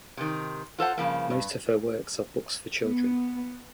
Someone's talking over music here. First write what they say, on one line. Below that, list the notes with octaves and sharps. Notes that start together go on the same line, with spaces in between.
Most of her works are books for children.
C3 D#3
F4 A4 C5 F#5
G2 C#3 F3 A#3
G2
B3